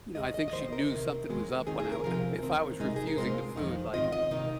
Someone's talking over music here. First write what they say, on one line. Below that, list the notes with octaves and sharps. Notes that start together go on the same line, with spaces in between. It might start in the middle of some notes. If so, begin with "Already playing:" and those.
you know, I think she knew something was up when I if I was refusing the food, like,
D#2 D#3 G#3 D#5
D#5
D#5
D#3 A#3 D#4 C5
A#4
C3 D#3 C4
D#2 D#3 G#3 C4
D#3 C4 D#4 G#4
G#4
A#4
C3 F3 C4 F4 A#4
D#2 D#3 C4
C3 G#3 D#4
G#4
A#4
C3 G#3 C4 F4 C5
F2 D#3 A#3 D#4
G#2 D#3 C4 F4 D#5
D#5
C3 D#3 A#3 D#4